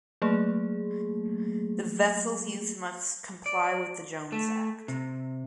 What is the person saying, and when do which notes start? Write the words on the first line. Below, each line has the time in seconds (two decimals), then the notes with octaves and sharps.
The vessels used must comply with the Jones Act.
0.22 F#3 A3 A#3 G#4
3.46 D5
4.32 A3
4.88 C3